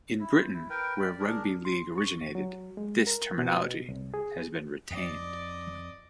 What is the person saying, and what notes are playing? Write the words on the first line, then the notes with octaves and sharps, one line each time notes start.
In Britain, where rugby league originated, this terminology has been retained.
E4
C5
E4
A#4 B4 G5
G4 D5
D4 G#4 A#4
C6
C#6
E2
F#3
G#3
A#4
B2
C2
G#4
F2 F3 D5 D#5